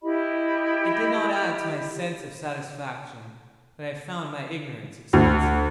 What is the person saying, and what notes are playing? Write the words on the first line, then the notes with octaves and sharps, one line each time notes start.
It did not add to my sense of satisfaction, that I found my ignorance expensive.
E4 G4 D#5 B5
D2